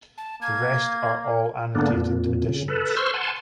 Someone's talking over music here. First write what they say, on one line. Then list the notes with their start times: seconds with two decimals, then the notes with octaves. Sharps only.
The rest are all annotated editions.
0.18 A5
0.42 A#3 G#6
1.75 G#2 D3 A#3 B3 D4
1.92 F2 A#2
2.49 C#3
2.68 A4 B4
2.96 C5 C6 C#6 E6 F6
3.14 F#5 G#5 A5 C6